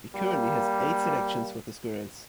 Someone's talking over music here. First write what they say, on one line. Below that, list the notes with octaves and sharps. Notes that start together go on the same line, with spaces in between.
He currently has eight selections with the Squirrels.
G3 A#3